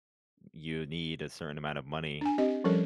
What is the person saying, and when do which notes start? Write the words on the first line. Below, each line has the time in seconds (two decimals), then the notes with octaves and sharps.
you need a certain amount of money.
2.21 D4 G#5
2.38 C4 G4 D#5
2.64 F3 G3 C#4 A4 A#4